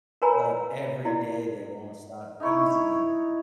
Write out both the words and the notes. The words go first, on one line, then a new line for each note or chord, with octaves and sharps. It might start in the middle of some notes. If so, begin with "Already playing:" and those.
like every day they won't stop teasing it.
A#4 B4 C#5 G#5 A#5 B5
E4 D5
D#4 E4 C#5 C#6